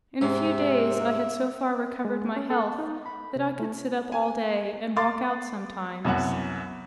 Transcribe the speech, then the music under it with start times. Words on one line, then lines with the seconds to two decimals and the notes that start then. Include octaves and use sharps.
In a few days I had so far recovered my health that I could sit up all day, and walk out sometimes.
0.21 G#2 C3 E5
2.05 G#3
2.36 C#4
2.50 A4
2.62 A5
2.79 D#4
3.06 B5
3.36 C3
3.60 A3
4.12 G#5
4.96 F5 C6 D6 A6
6.05 C2 F#2 B3 F#5